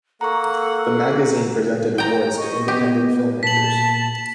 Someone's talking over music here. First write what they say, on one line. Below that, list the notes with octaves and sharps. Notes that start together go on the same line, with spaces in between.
The magazine presented awards to Independent film makers.
A#3 A4 F#5 A#5 C#6
G5 A#5
D#5 C#6
B3 G4
A#2 A5 B6 F#7